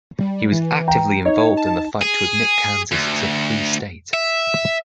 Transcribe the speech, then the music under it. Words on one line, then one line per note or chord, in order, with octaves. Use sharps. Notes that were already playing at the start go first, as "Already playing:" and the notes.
He was actively involved in the fight to admit Kansas as a free state.
G3
E3
G5 A#5
D#4 C#5
A5
G#4
D2
E5